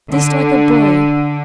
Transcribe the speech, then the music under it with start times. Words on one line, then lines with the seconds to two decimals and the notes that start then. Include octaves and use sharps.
Just like a boy!
0.12 D3